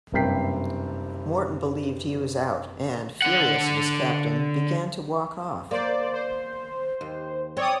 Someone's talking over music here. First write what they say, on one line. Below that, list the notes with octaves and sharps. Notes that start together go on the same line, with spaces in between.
Morton believed he was out, and, furious at his captain, began to walk off.
F#1 G2 C3 G5 B6 C7
D3 F#5
A#3 C5 D5
C5
D#2
C4 C#5 D5 D#6